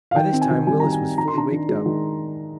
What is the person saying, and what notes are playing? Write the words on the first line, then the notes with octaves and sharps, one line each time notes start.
By this time Willis was fully waked up.
F5
D#3 G5
C4
G#5
D#3
G3 G#5
D#3 A#5
G#5
C4
D#3 A#5
C6
D4 A#5
D#3
G#3
D#3